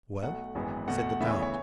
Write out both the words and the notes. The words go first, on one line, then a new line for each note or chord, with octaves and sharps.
"Well?" said the count.
B1 B2 A3 F#5
G#1 F#2 E3 G#3 B3
E2 B2 A3 F#5
F#5
F#5
D2 C#3 E3 B3 E5
C#5
C#5